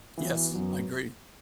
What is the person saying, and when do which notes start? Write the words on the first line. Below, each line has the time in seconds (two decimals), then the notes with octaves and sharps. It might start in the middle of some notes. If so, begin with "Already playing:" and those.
Yes, I agree.
0.18 E3 B3 F#4
0.51 F#2 F#3 B3